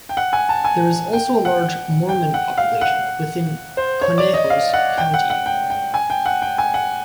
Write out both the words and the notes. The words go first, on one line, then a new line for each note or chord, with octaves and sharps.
There is also a large Mormon population within Conejos County.
G5
F#5
G#5
A5
G#5
G5
F#5
G5
F#5
F5
F#5
C5
C#5
D5
D#5
F5
F#5
G5
F#5
F#5
G5
G5
G#5
G5
F#5
G5
G#5
F#5